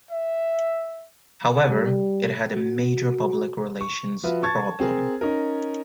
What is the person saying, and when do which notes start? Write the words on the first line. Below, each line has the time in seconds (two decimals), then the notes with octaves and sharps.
However, it had a major public relations problem.
0.10 E5
1.69 G3
2.55 F#4
3.81 C#6
4.23 F3 F4 F#4 B4 E5
4.42 A5 C#6 G#6 A6
4.80 C4 G#4 A#4
5.21 C#4 D#4 A#4